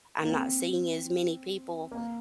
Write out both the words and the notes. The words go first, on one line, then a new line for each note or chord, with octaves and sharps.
I'm not seeing as many people
A#3
C4
A#3